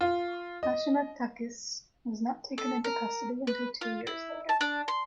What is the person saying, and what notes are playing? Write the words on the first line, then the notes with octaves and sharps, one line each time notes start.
Ashima Takis was not taken into custody until two years later.
F4
D#5
A4
A#4
B4
F4
E4
A5
D4
C6